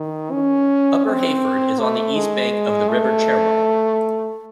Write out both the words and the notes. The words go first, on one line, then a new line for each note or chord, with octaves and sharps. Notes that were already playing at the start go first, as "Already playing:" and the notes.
Upper Heyford is on the east bank of the River Cherwell.
Already playing: D#3
C#4
C4
A3
G#3
A3